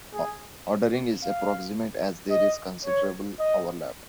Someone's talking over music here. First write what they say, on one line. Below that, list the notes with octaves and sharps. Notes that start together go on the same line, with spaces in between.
Ordering is approximate, as there is considerable overlap.
G#4
F5
D#5
C#5
D#5